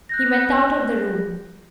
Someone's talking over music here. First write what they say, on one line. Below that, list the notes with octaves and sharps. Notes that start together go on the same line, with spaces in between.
He went out of the room.
F#6 G6 A#6